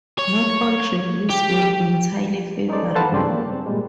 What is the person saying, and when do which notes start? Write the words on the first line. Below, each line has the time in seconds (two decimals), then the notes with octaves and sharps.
Not all reviews were entirely favorable.
0.19 C#5
1.30 G4
2.68 C#4 D#4 A4 C5 D5
2.95 A4 B4 C5 F5 F#5 A5
3.12 G2 C#3 C#4 D5 G5 C6
3.27 A#3
3.50 C4
3.66 A#2 G3 G#3